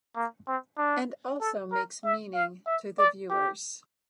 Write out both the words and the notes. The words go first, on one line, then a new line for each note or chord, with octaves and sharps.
And also makes meaning to the viewers.
A#3
C4
D4
A4
A#4
E5
F5
E5
D5
G4